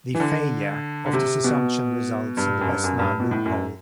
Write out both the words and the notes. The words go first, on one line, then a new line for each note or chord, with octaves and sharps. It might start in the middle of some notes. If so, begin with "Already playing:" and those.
The failure of this assumption results in the best known "loophole".
E3
D3
D3
C3
B2
G2
F#2
G2
F#2
G2
B2
A2
F#2